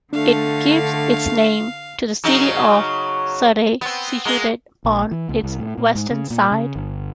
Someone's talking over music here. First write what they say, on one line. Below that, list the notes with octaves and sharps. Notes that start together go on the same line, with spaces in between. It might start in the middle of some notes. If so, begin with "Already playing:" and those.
It gives its name to the city of Sirte situated on its western side.
D3 A3 D4 F5
C#3 F#3 D#4
B3 C4
G#3 A#3
A#1
E3
C#2
C2
A2
A#2
G#2
C#3
A#2
C#3
G1